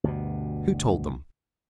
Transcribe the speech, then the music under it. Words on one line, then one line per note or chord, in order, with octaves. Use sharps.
"Who told them?"
D2 G2 B2